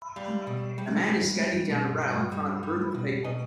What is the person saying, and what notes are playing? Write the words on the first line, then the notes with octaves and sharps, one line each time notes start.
A man is skating down a rail in front of a group of people.
G3 F5
B2
G3
G3
G3
B2
G3
G3
G3
B2
B2 D#5